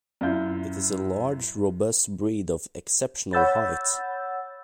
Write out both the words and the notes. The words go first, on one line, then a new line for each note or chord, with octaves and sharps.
It is a large, robust breed of exceptional height.
F#2 E4 F4 G6
C#5 F#5 B5 E6 G6 A6